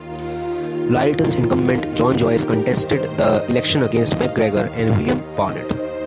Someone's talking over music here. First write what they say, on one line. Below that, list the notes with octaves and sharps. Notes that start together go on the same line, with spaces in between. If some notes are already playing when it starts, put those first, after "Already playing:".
Lyttelton's incumbent, John Joyce contested the election against McGregor and William Barnett.
Already playing: D#2 D#3 F4
D#2 D#3
D#2 D#3 F4
D#4
D#2 D#3 G4
A#4
G2 D#3 C5
D#5
G2 D#3 D#5
D#5
D#2 D#3 F5
D#2 D#3
D#5
D#2 D#3 C5